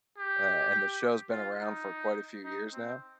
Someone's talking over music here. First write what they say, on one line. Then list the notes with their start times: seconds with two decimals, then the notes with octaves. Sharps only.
Uh, and the show's been around for quite a few years now.
0.18 G4
1.31 F4
1.59 D#4
2.44 D#4
2.73 C4